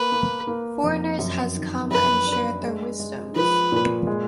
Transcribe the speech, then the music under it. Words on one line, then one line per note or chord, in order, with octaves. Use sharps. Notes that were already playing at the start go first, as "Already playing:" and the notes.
Foreigners has come and shared their wisdoms.
Already playing: A#3 B4
A#3
A#3
F2
F#2
D#3
F#2 B4
D4
G#3
G#3
F3 B4
A#2
G#3